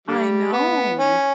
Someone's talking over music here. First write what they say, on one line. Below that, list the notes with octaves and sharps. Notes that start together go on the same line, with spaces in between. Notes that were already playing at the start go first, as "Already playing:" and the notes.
I know.
D3 G3
B3
C#4